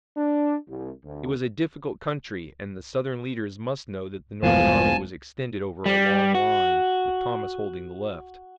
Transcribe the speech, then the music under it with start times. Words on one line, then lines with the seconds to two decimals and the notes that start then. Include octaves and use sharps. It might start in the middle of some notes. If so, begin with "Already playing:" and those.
It was a difficult country and the Southern leaders must know that the Northern army was extended over a long line, with Thomas holding the left.
0.16 D4
0.67 C2
1.04 D2
4.43 E1 A#1 G2 F3 B3 F5 G#5 A5
5.86 G3
6.35 F#4